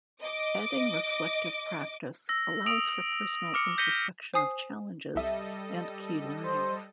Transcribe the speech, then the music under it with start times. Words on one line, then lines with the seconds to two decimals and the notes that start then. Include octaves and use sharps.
Adding reflective practice, allows for personal introspection of challenges and key learnings.
0.22 D#5 D6
2.29 E6 A#6
2.66 D#6 D7 F7
3.54 D6 F6 C#7
3.78 G6 A#6 B6 C#7 D#7 G7
4.34 C5 G#5 D#6 C7
5.15 C2 G3 A4 D#5 E5
6.45 C5